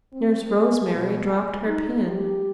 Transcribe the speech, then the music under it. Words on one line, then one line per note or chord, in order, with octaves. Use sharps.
Nurse Rosemary dropped her pen.
C4
G#4
B2
G#4
D#4
G4